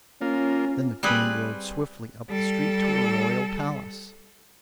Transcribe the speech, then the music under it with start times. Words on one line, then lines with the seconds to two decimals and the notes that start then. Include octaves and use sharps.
Then the Queen rode swiftly up the street to her royal palace.
0.21 A#3 C#4 F4
1.03 G3 C4 G#4 B4
2.28 G3 A4